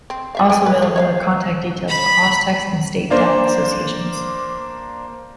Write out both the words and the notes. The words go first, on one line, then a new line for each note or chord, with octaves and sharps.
Also available are contact details for Austext and state deaf associations.
C4
F4 E5 F5
G#3 G5 G#5
B4 D#5
F#3 A3
C#5 E5 F5
B5
A#3 D4 C5